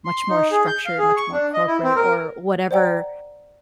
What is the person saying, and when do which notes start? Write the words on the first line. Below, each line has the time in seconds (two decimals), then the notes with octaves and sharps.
much more structured, much more corporate or whatever
0.05 C6
0.29 D#4
0.51 G#4
0.67 G6
0.86 F5
0.98 G#4
1.17 C#6
1.33 D4
1.54 D#5
1.67 E4
1.83 C4
1.96 A#4
2.71 C5 D5 F#5 G5 A#5